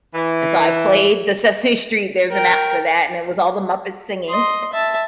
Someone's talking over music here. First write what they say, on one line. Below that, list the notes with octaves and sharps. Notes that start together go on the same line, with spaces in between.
And, so I played the Sesame Street, There's an App for That, and it was all the Muppets singing
E3
A#4 G5
D#5 C6
E5 A5